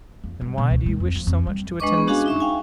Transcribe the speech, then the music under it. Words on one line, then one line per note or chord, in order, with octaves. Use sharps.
"Then why do you wish so much to attend this one?"
F2
G2
B2
C#2
G#3
F2
F3
F2
G3
G#3 D4 B4 D#5 C#6 D6
B3 G#4
C#4 D4 F#4 G#4 F5 G#5
D#4 E5 C#6
F5 G5 G#5